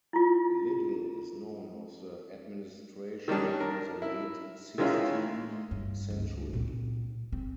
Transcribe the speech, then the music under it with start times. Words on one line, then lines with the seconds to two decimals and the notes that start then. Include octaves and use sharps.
Little is known of the administration before the late sixteenth century.
0.13 E4 F4
3.28 D#3 G3 C#4 D4
3.60 A#4
4.02 E4
4.78 D#3 E3 G#3 C#4 E4 F4
5.71 G2
6.10 C#2
6.53 A#2 C4
7.32 C4